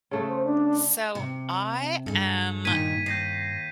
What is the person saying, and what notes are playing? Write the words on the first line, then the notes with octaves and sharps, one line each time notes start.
So, I am
C#3 A3
C5
D4
C3
G2 G#4 A4
A#2 D#3 G#6 B6 D#7
D#2 G6 A#6 C7